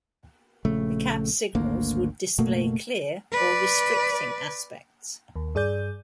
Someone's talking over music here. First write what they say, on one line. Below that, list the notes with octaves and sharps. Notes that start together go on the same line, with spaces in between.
The cab signals would display "Clear" or "Restricting" aspects.
A#1 C#3 A3
G#1 D2 A#3
F#1 B2 A3 A#3
B4 D5
D#2
G2 G#4 D5 G6